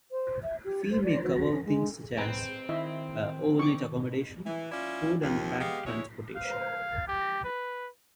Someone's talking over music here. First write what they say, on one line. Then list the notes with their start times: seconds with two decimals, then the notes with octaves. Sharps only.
Fees may cover things such as overnight accommodation, food and pack transportation.
0.12 C5
0.43 E5
0.65 G4
0.91 C5
1.04 D5
1.23 F#4
1.52 C#4
1.66 G#3
2.17 C4 B4 G#5 A#5
2.69 D#3 E4 D#5 E5
3.59 C#6 D6
4.46 E3
4.72 C#4 E4 F4 D5
5.22 D#2 F3
5.59 G#3 B3 G4 F5
5.85 D2 G#3 E4 C#5
6.36 F5
7.08 G4
7.44 B4